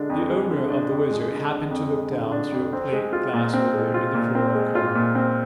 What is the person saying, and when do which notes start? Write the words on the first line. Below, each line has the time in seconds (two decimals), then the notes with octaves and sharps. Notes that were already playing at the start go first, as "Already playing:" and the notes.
The owner of the WHIZZER, happened to look down through a plate-glass window in the floor of car.
Already playing: D3 G#3 D4
0.10 F2
0.29 G#3
0.50 D3
0.70 D4
0.90 F2
1.11 G#3
1.31 D3
1.51 D4
1.71 F2
1.91 G#3
2.12 D3
2.32 D4
2.52 F2
2.73 C4
2.92 G#3
3.13 F4
3.33 A#2
3.54 C4
3.74 G#3
3.94 F4
4.14 A#2
4.35 C4
4.55 G#3
4.75 F4
4.95 A#2
5.15 C4